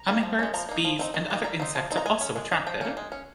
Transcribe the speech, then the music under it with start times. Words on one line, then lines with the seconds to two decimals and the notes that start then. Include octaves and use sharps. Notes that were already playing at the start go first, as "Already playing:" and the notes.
Hummingbirds, bees and other insects are also attracted.
Already playing: A#5
0.08 A#3 D#4
0.23 F3
0.39 G#3 C#4
0.54 F3 A#5
0.69 A#3 D#4
0.85 F3
0.99 C4 D#4
1.14 D#3
1.30 A#3 D#4
1.44 G3 A#5
1.60 C4 D#4
1.75 F3
1.91 C4 D#4
1.97 A#5
2.06 G#3 G#5
2.21 C#4
2.36 G#3
2.51 D#4
2.67 F3 G5
2.81 A#3 C#4
2.97 G#3
3.12 C#4